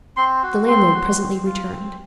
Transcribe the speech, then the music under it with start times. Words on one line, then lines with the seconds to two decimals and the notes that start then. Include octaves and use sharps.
The landlord presently returned.
0.17 C4 C6
0.43 F#4
0.68 C4 C6
0.95 F#4
1.20 C4
1.46 F4
1.71 C4